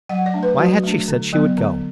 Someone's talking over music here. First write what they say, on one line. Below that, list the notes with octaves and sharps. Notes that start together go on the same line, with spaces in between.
Why had she said she would go?
F#3 F#5
D5
A3 D4
B4
F#3 F#4
A3 D4
D3
F#3 B3
D3